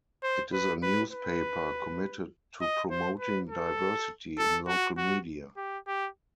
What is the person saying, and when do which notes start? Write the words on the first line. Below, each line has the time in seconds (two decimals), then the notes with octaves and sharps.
It is a newspaper committed to promoting diversity in local media.
0.23 C5
0.53 B4
0.83 B4
1.12 B4
2.61 D#5
2.91 C5
3.20 B4
3.50 A4
4.38 A4
4.68 F#4
4.97 F#4
5.57 G4
5.87 G4